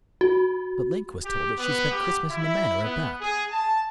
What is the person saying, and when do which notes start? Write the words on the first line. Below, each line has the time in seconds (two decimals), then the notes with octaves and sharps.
"But Link was told that she spent Christmas in the Manor at Bath."
0.21 F#4
1.24 G4
1.57 B3
1.91 G4
2.30 E4
2.82 B3
3.21 G#4
3.51 A5